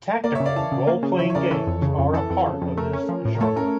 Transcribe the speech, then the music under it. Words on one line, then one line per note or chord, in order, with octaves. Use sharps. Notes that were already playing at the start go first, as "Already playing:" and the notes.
Tactical role-playing games are a part of this genre.
A#3 A#4 D5
C#5 E5
C#3
D5 F5
E3 F5 A5
C#3
A#3
C#3
E3 C#5 E5
C#5
C#3 A#4 D5
E3 A4 C#5
F2
C#3
F2
E3 A4
F2
C#3
F2
A3 A#4
C#4
F3
A2
A#4
A3 A4 C#5
C#4 A#4